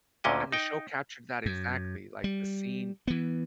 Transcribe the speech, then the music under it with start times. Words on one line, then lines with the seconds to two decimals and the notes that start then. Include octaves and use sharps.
and the show captured that exactly. Like, the scene,
0.24 D2 A#2 D3 C#4 D#5 G5
0.52 D#4 G5
1.46 F#2
2.24 G3
3.07 E3 B3